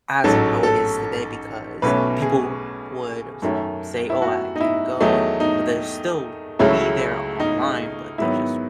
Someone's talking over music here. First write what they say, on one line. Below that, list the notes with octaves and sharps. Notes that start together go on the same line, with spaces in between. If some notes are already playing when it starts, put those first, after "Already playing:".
as how it is today because people would s say, "Oh, I I can't go," but they'll still be there online, but they just
A1 G#2 F#3 C#4 A4
A4
B1 B2 A3 C#4 B4
G#4
F#2 D#3 A3 C#4
E4
F#4
D#4
E4
E2 D#3 F#3 A3 D#4
D#4
C#2 C#3 F#3 A3 C#4 E4
D#4
G#2 D#3 F#3 B3 E4